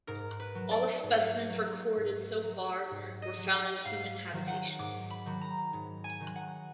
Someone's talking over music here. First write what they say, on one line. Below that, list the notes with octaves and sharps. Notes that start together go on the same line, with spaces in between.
All the specimens recorded so far were found in human habitations.
G#2 A#4
B4
F#3
D5
G#2
F#3
G#2
F#3
G#2
D#5
F#3
F#5
G#2 F5
D#3 F#3
F#5
G#2 D6
B5
D#3 F#3
A#5
G#2
G#5
D#3 F#3
F#5